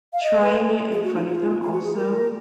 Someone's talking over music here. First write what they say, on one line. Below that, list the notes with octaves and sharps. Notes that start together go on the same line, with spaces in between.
Trying it in front of them also.
F5
D#5
B4
G#4
F#4
D#4
F4
F4
F#4
G#4
A#4